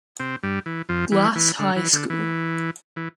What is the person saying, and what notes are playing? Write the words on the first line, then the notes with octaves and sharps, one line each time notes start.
Glass High School.
C3 C4
G2 G3
E3
F2 F3
E3
E3
D3
E3
D3
E3
E3